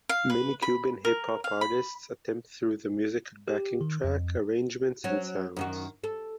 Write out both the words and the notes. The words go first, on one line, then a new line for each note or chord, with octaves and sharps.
Many Cuban hip hop artists attempt through the musical backing track arrangements and sounds.
F5
B4
B5
A#4
F5
B5
G4
D#3
F2
F#3 C#4
F#2 D#3 F#4
A4